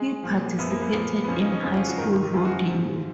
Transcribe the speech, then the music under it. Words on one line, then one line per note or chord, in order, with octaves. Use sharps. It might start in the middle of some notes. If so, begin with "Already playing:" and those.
He participated in high school rodeo.
Already playing: G#3
A#2 F3
F#2 F3 B3
A#3
B3
A#2 F3
B3
F2 C#3 F3 C#4
D#4
C#4
F2 C#3 F3 C#4
F4
F#4
G#2 D#3 A#4
F#2 C#3 F3 F4
F#4
G#2 F3